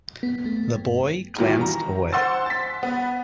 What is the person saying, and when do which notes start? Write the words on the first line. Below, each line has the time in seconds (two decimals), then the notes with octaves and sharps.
The boy glanced away.
0.23 B3
0.45 A3
0.76 G2
1.38 G2 A#2 D#3 E3 F#3
1.61 A#5
2.13 C5 F#5 C6 E6 A6
2.46 A6 B6
2.83 B3